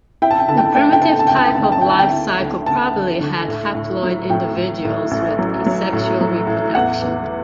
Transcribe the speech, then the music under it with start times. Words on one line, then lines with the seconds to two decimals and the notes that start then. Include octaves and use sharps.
The primitive type of life cycle probably had haploid individuals with asexual reproduction.
0.22 E4 G5
0.31 A5
0.39 G5
0.48 D3 A5
0.58 G5
0.66 A5
0.75 A3 G5
0.84 A5
0.92 G5
1.02 E4 A5
1.11 G5
1.19 A5
1.28 D2 G5
1.37 A5
1.46 G5
1.55 D2 A5
1.64 G5
1.72 A5
1.81 E4 G5
1.90 A5
1.99 G5
2.12 E4
2.39 D2
2.66 D2 A5
2.94 D2
3.20 D3
3.48 A2
3.75 A2
4.03 F#3
4.30 A2 G5
4.57 A2
4.85 A2
5.11 A1
5.39 F#3
5.66 F#3
5.93 A2
6.21 F#3
6.47 A2
6.75 E2 F#5
7.02 E2